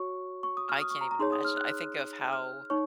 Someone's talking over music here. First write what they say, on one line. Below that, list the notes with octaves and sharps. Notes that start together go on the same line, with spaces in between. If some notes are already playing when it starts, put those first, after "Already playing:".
I can't even imagine I think of how
Already playing: F#4 C#5 C#6
C#6
D#6
F6
D#6
C#6
A#5
A#5
D#4 G#4 C#5 C6
D#6
F6
F#6
F6
D#4 C#5 C#6